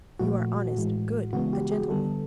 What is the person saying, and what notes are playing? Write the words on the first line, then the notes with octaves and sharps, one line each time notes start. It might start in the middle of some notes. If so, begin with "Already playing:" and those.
You are honest, good, a gentleman.
A#2 F3 A3 F#4
A2 E3 G#3
C#3 E3 G#3 B3 F#4
G4
G#4
D3 G3 B3 A4